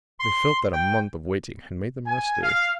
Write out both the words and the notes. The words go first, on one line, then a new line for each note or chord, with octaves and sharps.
They felt that a month of waiting had made them rusty.
C6
G5
G#5
F5